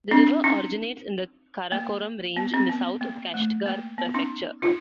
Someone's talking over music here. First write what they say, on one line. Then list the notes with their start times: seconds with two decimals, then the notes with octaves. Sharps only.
The river originates in the Karakoram range in the south of the Kashgar Prefecture.
0.11 C4 D4
0.44 C#4 D#4
1.72 A#3
2.37 B3
2.54 C4
2.69 B3
3.01 A#3
3.34 A3
3.66 A#3
3.98 B3
4.14 C#4 D#4
4.62 D#4 F4